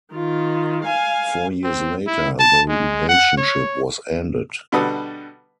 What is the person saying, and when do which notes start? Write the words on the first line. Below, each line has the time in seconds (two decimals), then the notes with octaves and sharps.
Four years later, the relationship was ended.
0.14 D#3 F4
0.85 F5 G#5
1.64 C4
2.07 E4
2.39 A5
2.69 G#3
3.09 F#5
3.38 C#5
4.72 B2 D3 G3 A4 B4 D#6